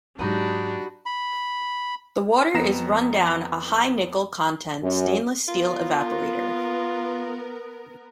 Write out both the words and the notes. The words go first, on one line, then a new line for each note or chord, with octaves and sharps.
The water is run down a high nickel content stainless steel evaporator.
G#2 F#3 D4 D#4 F#4 G4 B5 D#6
B5
F2 B3 A#5 A#6 E7
F#2
B3 F4 A#4